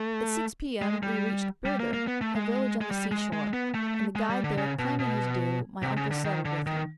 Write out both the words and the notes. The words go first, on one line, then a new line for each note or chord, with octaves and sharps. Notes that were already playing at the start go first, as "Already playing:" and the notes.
At six p.m. we reached Buedir, a village on the sea shore; and the guide there claiming his due, my uncle settled with him.
Already playing: A3
G#3
G3
G3
A#3
A#3
B3
A3
G#3
G#3
G3
G#3
G#3
B3
A3
G#3
G3
D3
C#3
B2
B2
C3
C#3
D3
D#3
D3
D#3